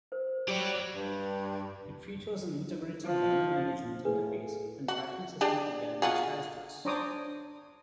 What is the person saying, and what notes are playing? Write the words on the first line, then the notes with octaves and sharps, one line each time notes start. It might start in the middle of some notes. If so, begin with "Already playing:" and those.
It features an integrated banner management interface and tracking system for gathering statistics.
A#4 C5
F#3 G4 D5
G2
F3
A2 G#4 B4
F#4
D4 G4 G#4
F4 F#4 G#4
D4 C5 C#5 A#5 D6 D#6